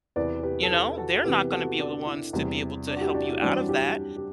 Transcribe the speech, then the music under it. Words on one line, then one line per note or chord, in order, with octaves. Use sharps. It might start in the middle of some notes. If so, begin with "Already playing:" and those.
you know? They're not gonna be the ones to be able to help you out of that.
E2 C3 E3 B4 D5
G4 B4
A4
E4 G4
F#4 A4
C3 E3 B3 G4 B4
F#4 A4
D4
E4
E2 C3 G3 C4
D4
F#4
E4 G4
D4 F#4
E4
F#2 E3 G3 C4 D4 F#4
E4 G4
G4